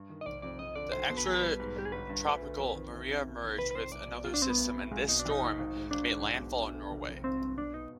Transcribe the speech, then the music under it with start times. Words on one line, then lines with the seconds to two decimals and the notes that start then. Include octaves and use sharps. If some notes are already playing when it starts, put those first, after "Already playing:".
The extratropical Maria merged with another system and this storm made landfall in Norway.
Already playing: G2
0.09 D#3
0.21 D#5
0.26 F1 D5
0.42 F2 D5
0.59 F2 D#5
0.75 D3 D5
0.92 B1 C5
1.09 B2 C5
1.18 B4
1.25 B2 G#4
1.35 B4
1.42 G3
1.60 G#2
1.76 G3 G4
1.85 G#4
1.92 G1 B4
2.09 G2
2.26 D2
2.42 D3
2.59 F2
2.75 D#3
2.92 D2
3.09 C3
3.25 D#2
3.43 D#3
3.58 F1 B4
3.71 B4
3.75 F2 C5
3.91 C2 D5
4.08 B2
4.25 G#1 F4
4.34 D4
4.42 G2 C4
4.50 B3
4.58 D2
4.75 C3
4.91 B1 G#3
5.08 B2 D#4
5.19 D4
5.25 F1 D#4
5.42 D#2
5.58 G#1
5.75 G#2
5.91 G#1 D4
6.08 G#2
6.24 B1
6.41 B2
6.58 D2
6.74 D3
6.91 F1
7.08 F2
7.24 G#1 C4
7.41 G2
7.58 B2 D4
7.74 B3 D#4